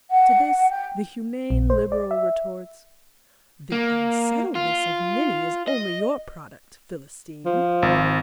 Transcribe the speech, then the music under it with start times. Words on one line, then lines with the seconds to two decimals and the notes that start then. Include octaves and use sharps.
To this the humane liberal retorts: The unsettledness of many is only your product, Philistine!
0.10 F#5
0.70 G5
1.50 A#1
1.70 C5
1.92 D5
2.11 E5
3.72 A#3
4.55 F4
5.68 D#5
7.45 F3
7.82 G#1